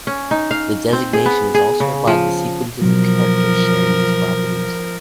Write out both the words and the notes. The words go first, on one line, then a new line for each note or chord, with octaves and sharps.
The designation is also applied to sequences of characters sharing these properties.
C#4
D#4
F5
C4
G#4
B3
G#4
C#3
F3
B2 F3 F#3 A#4